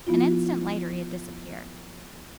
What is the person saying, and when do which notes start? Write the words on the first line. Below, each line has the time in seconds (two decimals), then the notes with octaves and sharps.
An instant later he had disappeared.
0.07 F3 B3 E4 F4